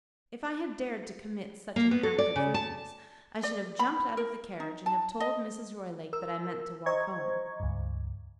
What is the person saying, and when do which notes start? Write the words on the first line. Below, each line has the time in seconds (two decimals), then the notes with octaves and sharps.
If I had dared to commit such an act of rudeness, I should have jumped out of the carriage, and have told Mrs. Roylake that I meant to walk home.
1.76 A#3
1.91 B3
2.03 A4
2.18 D5
2.36 C#3
2.54 A5
3.43 D5
3.79 B5
4.17 A#4
4.60 D#4
4.86 A5
5.20 D#5
6.13 A#4 E6
6.86 C5 D#5 A#5 C#6 G#6
7.60 C#2 G2